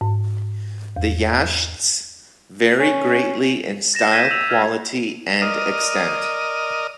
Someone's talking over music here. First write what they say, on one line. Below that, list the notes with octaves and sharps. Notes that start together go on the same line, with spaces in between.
The "Yasht"s vary greatly in style, quality and extent.
G#2
E2
C#4
A6 A#6 E7
G6 G#6 A#6 B6 D#7 E7
E6 F7
F6 G#6 F7
A#4 D5 D#5 D#6 F6